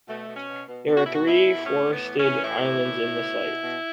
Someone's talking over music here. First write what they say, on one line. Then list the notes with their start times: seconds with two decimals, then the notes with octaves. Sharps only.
There are three forested islands in the site.
0.08 B2 A3
0.28 B2
0.35 C#4
0.48 B2
0.68 B2
0.87 B2
0.96 F#4
1.05 B2 E4
1.13 F#4
1.27 B2 E4
1.46 B2
1.65 A2 C#4
1.85 A2
1.92 B3
2.04 E3
2.18 C#4
2.25 E3
2.43 A2 E4
2.63 E3
2.83 A2
3.03 A2
3.22 B2
3.42 B2
3.62 B2